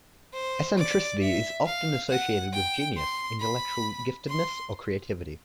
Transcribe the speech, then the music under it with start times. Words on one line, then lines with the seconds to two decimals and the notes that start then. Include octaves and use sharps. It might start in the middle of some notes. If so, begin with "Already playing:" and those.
Eccentricity is often associated with genius, intellectual giftedness, or creativity.
0.33 C5
0.78 D5
1.21 E5
1.65 F5
2.09 F#5
2.53 G5
2.97 C6
3.40 B5
4.29 C6